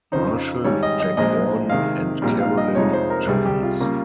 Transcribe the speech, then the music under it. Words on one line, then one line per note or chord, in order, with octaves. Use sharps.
Marshall, Jack Warden and Carolyn Jones.
F2 C#3 F3 C4 D#4 C5
G#1 G#2 G3 C#5
D#5
D#5
A#1 A#2 F3 G#3 C4 D#5
C3 D#3 G#3 F5
A#1 A#2 G3
F5
D#5
F2 C3 F3 G#3 D#4 C#5
C5
A#4
C2 C3 G3 G#4
G4
F4
C#3 G3 A#3